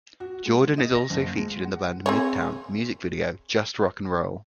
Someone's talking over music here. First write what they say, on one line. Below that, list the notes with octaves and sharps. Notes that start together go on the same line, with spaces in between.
Jordan is also featured in the band Midtown's music video "Just Rock and Roll".
F#4
G#3
D#5
A#6
F#1
G#3
F#5
C4 G#4 C#5